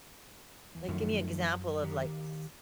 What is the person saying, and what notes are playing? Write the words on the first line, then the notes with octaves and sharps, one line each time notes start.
Like, give me an example of, like, s
E2
F#2 D#3 F3 A3
D#3 G4 A#5